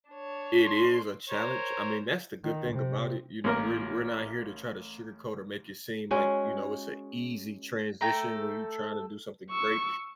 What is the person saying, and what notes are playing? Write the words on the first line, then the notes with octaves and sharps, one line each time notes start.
it is a challenge, I mean, that's the good thing about it, you know, we're we're not here to try to sugarcoat or make it seem like, you know, it's a easy transition when you try to do something great,
D4 C#5
C6
A#4 C5 C#5
D#3
C3
A1 A#3 A#4
G#3 C#4 F#4
A3 A4 G5 A#5
C#6 E6